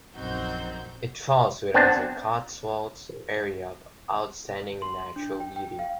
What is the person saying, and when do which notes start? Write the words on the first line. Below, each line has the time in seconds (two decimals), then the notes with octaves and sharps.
It falls within the Cotswolds Area of Outstanding Natural Beauty.
0.15 A#1 F#2 C4 D#4 F#4 G6
1.74 B3 C4 D4 F#5 A5
4.82 C6
5.16 D4
5.40 G5
5.56 G5
5.79 F5